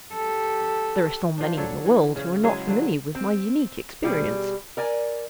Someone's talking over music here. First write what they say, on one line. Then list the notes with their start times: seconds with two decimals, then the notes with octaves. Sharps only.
There are still many in the world who are not familiar with my unique experience.
0.13 G4 A4
1.38 F3 D4
1.57 F#3 D4 A4 C#5
1.86 E3
2.16 C#3 C#4
2.43 F#3 G#3 E4 G#4
2.67 D3 F3 F#3
3.15 C4
4.04 B2 G3 G4 G#4
4.77 A#4 D5 G#5